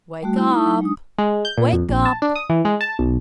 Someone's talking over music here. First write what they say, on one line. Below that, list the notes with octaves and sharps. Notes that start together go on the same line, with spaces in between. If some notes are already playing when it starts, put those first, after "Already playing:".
"Wake up! Wake up!"
G3 A3 F#4
E4
D#4 E4 D#6
F#3 D#4
G#3 D4 D#6
G#3
G6
A#2
F2
A#1
A5
D4
D#6
E3
G#3
A5
B1